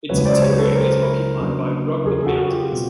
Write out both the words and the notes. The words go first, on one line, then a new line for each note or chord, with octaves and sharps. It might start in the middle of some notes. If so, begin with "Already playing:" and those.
Its interior is occupied by Brugmann Mountains.
C#2 C#3 F#3 B4 C#5
C5 D5
B4 C#5
A4 B4
A#4 C5
C#3 F#3 A#3 D4
G#4 A#4
A4
F#4 G#4
F4 G4
B2 G3 C4